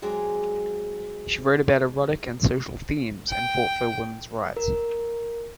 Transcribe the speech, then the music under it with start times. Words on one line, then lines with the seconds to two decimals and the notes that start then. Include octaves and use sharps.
She wrote about erotic and social themes and fought for women's rights.
0.02 F#3 G#3 C4 D5
3.29 G5
4.57 A#4